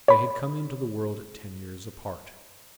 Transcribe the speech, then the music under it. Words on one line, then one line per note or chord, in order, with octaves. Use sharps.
They had come into the world ten years apart.
C#5 B5